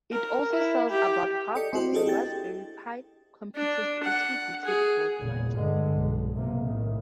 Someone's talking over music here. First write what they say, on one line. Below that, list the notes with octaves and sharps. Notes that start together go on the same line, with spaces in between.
It also sells about half of the Raspberry Pi computers distributed worldwide.
A#4
E4
G4
A4 D5 D#5 G5 C#7
C4 E4 F#4 C5
D4 F#4 G#4 A4 D#5
E4 G4 G5 A6
D4
F#5
G#4
G#1 E2 A#2 C#3
G2 D3 G#3
B1
B1 C3 A#3
A2 D#3